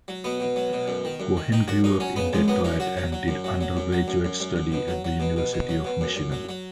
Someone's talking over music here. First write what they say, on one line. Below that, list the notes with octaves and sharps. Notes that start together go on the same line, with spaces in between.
Cohen grew up in Detroit and did undergraduate study at the University of Michigan.
F#3
B2 B3
B2
F#3
B2
F#2
D#3
F#2
D#3
D#3 D#4
F#2 F#4
F#2 D#4
F#3 C#4
C#3 B3
F#2 G#3
F#3 B3
F#2 D#4
F#3 F#4
F#3
F#3
F#2
F#3
F#3
F#2
F#3
F#2
F#2
F#2
F#2
B2
F#3
F#3
B2
B2
B2
F#3
B2
F#2
F#2
F#3
F#3